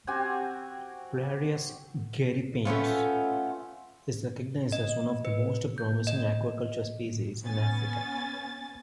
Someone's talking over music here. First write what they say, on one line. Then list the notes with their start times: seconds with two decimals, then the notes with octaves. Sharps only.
"Clarias gariepinus" is recognized as one of the most promising aquaculture species in Africa.
0.07 C4 F#4 G4 G#5
2.65 A3 B3 C#4 F4
4.72 D#5
5.25 B4
5.78 G6
6.07 D#5
7.42 B3 C#4 G#5 A6